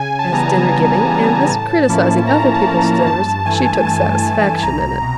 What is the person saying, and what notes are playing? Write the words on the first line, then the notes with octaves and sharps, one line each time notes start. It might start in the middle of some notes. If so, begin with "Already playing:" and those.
As dinner-giving, and as criticising other people's dinners, she took satisfaction in it.
Already playing: C#3 G#5
G#5
A5
E3 G3 B3 A#5
A5
C#3
E3 G3 B3
A2
F3 A#3 C#4 E4
A2 A#5
A5
F3 A#3 C#4 E4
A#5
G2 A5
A5
E3 A3 G#5
G2 A5
E3 A3
C2 A#5
B2